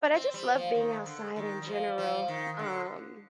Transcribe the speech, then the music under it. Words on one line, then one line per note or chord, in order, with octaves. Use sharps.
but, I just love being outside in general, um
C4
G3
F3
D#3
D3
D#3
G3
F3
F3
D#3
D3